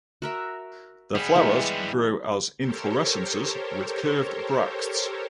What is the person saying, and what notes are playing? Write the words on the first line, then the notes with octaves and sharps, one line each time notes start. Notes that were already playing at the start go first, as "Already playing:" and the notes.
The flowers grow as inflorescences with curved bracts.
F#4 A#4 E5
G3 B3 G#4
E3 G#3 E4 E5
G4 A4 A#4 C5 C#5